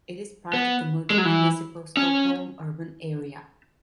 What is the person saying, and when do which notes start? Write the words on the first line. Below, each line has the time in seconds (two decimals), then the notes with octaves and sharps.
It is part of the multimunicipal Stockholm urban area.
0.54 B3
1.10 G#3
1.18 F#3
1.25 E3
1.97 C#4